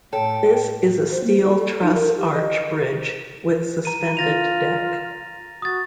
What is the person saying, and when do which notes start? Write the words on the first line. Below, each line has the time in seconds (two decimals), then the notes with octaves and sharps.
This is a steel truss arch bridge with suspended deck.
0.13 A2 A4 C#5 G5
1.12 C5
1.24 A#3
1.43 D5
1.58 A4
1.82 D#4
1.94 A#4
2.17 G4
2.34 D#5
3.85 A#5 D#7
4.17 F4 A6 A#6 F7
5.62 F#4 D#6 A6